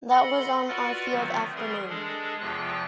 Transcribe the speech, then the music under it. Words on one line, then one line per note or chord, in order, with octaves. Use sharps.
That was on our field afternoon.
A4 D#5 F#5 B5 C6
F4 F#4 A#4 B4 D5 F#5
D3 D#3 F#3 A3 B3 C4
E3 G3 G#4 A#4 C6
G#3 D4 G#4 A4
E2 C3 F3 F4 G5 F#6